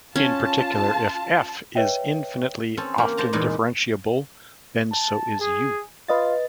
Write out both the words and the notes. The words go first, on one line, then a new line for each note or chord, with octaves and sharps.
In particular, if "f" is infinitely-often differentiable, then so is "u".
C#4 F4 A5
B4 C#5 D#5 E5 G5
C4 C#4 A4
A#3 G4
C5 A5 A#5
E2 A#2 G#3 A#3 D#4 D5
A5
G#4
F4 B4 D#5 A6